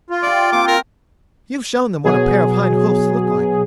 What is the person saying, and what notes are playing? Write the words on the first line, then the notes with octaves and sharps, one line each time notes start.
"You've shown them what a pair of hind hoofs look like."
F4
G4 D5 E5
A#3 C4 G5 D6
A#4
B2 F#3 G#4